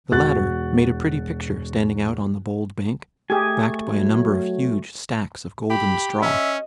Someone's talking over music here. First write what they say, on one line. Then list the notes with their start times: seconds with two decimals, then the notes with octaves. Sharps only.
The latter made a pretty picture standing out on the bold bank, backed by a number of huge stacks of golden straw.
0.11 E1 F#4 F#6 A6
3.30 A3 G4 G#4 G#5
3.88 F#3
5.70 G4 B5
6.22 C#4 D#5 E5